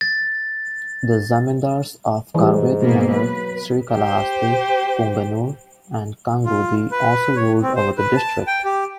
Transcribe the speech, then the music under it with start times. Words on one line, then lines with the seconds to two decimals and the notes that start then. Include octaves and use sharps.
The Zamindars of Karvetinagar, Srikalahasthi, Punganur and Kangundhi also ruled over this district.
0.01 A6
2.35 G#2 E3 G3
2.80 B2 A#3 B3
3.12 F#3 B4
3.93 G4 C5
6.46 F4
6.91 B4
7.36 C#5
7.62 C4
7.76 C5
7.98 B4
8.17 A5
8.47 G5
8.65 G4